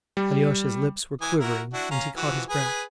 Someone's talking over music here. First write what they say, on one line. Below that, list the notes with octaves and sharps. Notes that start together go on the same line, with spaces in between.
Alyosha's lips were quivering and he caught his breath.
G3
E3 G#5 D#6
E4 F#4 A#4
D4 E4 F#4
C#4 F5 A#5
E3 F3 F#4
G#4 B4 G#5